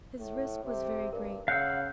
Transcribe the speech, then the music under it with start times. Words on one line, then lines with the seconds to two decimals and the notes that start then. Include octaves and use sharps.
His risk was very great.
0.19 A2
0.64 C3
1.13 G2 A#4
1.48 C#3 F5 F#5 E6 F#6 G6